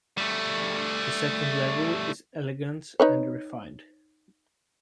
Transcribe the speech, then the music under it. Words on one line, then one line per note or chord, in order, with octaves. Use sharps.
The second level is elegant and refined.
G3 A3
D#4 B4 C#5